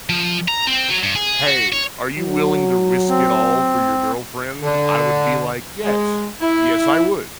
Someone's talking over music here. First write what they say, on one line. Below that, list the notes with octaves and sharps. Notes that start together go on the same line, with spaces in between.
"Hey, are you willing to risk it all for your girlfriend." I would be like, "Yes, yes, I would.
F3
A#5
C4
F#3
G2
G#4
F#4
C#5
F#3
C4
D3
G#3
E4